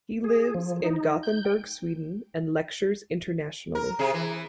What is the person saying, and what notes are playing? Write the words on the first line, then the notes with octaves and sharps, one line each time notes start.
He lives in Gothenburg, Sweden, and lectures internationally.
G#4
F3
D#4
G6
G5
A#4
C3 G#4
E3